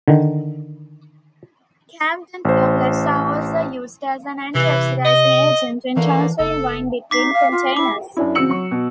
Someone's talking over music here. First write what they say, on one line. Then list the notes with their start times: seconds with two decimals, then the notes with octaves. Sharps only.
Campden tablets are also used as an anti-oxidizing agent when transferring wine between containers.
0.08 D3 D#3
2.45 A1 C5
4.55 C3 E3
5.05 D#5
5.96 D3 E3 A3 A#3
6.39 F#1 A4
7.11 D#4 D6 B6 C7
7.33 F5
7.52 F4
7.77 E4 D6
8.17 F#2 D4 E4
8.35 C#3 C4 F#4 E6 C#7 F#7
8.50 F#3 C#6
8.71 B2